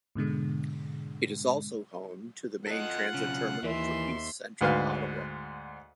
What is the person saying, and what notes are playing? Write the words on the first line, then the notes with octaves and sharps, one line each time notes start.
It is also home to the main transit terminal for east-central Ottawa.
G#2 B2 D3 G#3
F4 A4 D#5 F#5 F#6
B1 C#3
D#2 E3 E5 C6
D2 G#2 B4 F5